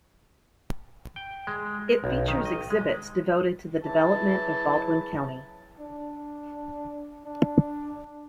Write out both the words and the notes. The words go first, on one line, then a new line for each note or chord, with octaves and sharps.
It features exhibits devoted to the development of Baldwin County.
G5
G#3
A#4
B1
D#3
D#5
G#3
C#3 E3 F#3 E4 A5
D4
D4